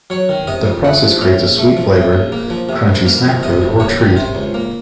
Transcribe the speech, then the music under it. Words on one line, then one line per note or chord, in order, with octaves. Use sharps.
The process creates a sweet flavored, crunchy snack food or treat.
F#3 C#5
D#3
C3 D#5
F2
A3 F#5
F3
A2 F5
A#1
A3
F3
A2
A#1
A#3
F3
C3
C2
A#3 F5
F3
C3 D#5
C2
A#3 C#5
D#3
C3 C5
C#2
A#3